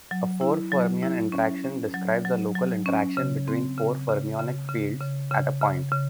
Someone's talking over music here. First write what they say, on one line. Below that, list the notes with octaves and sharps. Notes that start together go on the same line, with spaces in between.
A four-fermion interaction describes a local interaction between four fermionic fields at a point.
F#3
E4
F#3
E4
C#4
C#4
F#3
F#3
F#3
C#4
C#3
C4
C#3
C#3
C#3
C#3
C#3
C#3
C#3
C#3